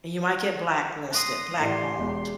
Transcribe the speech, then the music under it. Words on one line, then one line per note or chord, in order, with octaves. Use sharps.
And you might get blacklisted, blackballed.
C6 D#6 F#6 A#6
A2 E3 G4 D5 C6
E1 E2